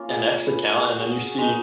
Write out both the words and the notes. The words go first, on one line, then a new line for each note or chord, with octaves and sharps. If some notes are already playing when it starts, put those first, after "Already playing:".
an X account, and then you see
Already playing: A#3 C#4 F4
G#4
A#4
B4
A#4
G#4
F#4
G#4
G#3 D#4